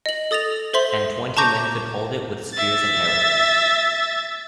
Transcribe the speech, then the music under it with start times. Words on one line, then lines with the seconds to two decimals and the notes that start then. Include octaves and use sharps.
And twenty men could hold it with spears and arrows.
0.06 D#5 F#7
0.31 A4 D#6 A6 A#6 F7
0.74 A4 C5 E5 C6 F#7
1.37 A5 A#5 C#6 D6 G6 A#6
2.54 E5 A6